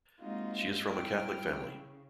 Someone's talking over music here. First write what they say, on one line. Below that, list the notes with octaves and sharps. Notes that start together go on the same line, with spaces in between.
She is from a Catholic family.
G#3 A#3 C4 D#4 F4 F#4
G3 E4 G5 F6
C#3